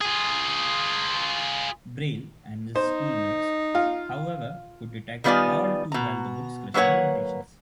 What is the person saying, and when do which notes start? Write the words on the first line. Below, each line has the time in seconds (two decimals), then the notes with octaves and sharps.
Braille and his schoolmates, however, could detect all too well the books' crushing limitations.
0.01 F4 G#4
2.76 D#4 C5
3.75 F4
5.24 D#3 G3 B3 F4 D5 G#5
5.92 B2 A#5
6.74 F#3 A#3 B4 C#5 F#5